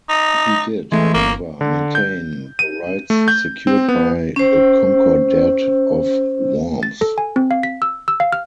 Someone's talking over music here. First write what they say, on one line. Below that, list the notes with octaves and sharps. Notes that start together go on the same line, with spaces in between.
He did, however, maintain the rights secured by the Concordat of Worms.
D#4
E3 G#3 A3
G1 A#3
D3
G6
D#7
A3
G6
C4
B3
C#4 C5
A6
A4
G#5
C4
F5
B6
E6
E6
F5
F6